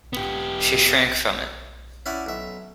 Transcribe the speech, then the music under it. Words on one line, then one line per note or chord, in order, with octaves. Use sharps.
She shrank from it.
B3 G4
C#4 E4 D5 F#5
B1 E5